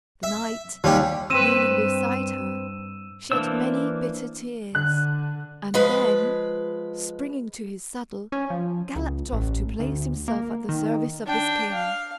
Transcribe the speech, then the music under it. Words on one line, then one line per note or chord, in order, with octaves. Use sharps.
The knight, kneeling beside her, shed many bitter tears, and then, springing to his saddle, galloped off to place himself at the service of his king.
E5
D#2 G3 C#4 G4
G2 C4 B4 E6 D#7 E7
E3 A#3 D4 C5 E6
D3 F#6
F3 G#3 B4
C#4
F3
C#2
A1
D2
A#3
D#3
D4 G5
F5